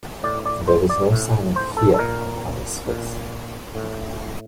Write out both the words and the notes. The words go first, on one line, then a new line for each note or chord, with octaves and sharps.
There was no sign of fear upon his face.
A2 D5
D5
C5
D5
A2
C5
A4
A4
A#2 A#4
A#2
A2